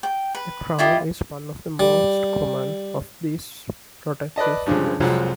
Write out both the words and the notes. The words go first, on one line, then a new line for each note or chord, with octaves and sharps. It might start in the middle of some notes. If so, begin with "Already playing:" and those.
The crone is one of the most common of these protective figures.
G5
B4
E4 F4 G4 D#5
G3
B4 D5 D#5 A5
G2 C#3 F3 G#3
C2 F2 F3 F#3 G#3